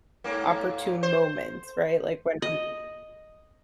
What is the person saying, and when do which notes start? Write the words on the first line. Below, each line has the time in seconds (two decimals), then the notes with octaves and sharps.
inopportune moments, right? Like, when I'm
0.24 G#2 A#3
1.03 C5
2.42 D#5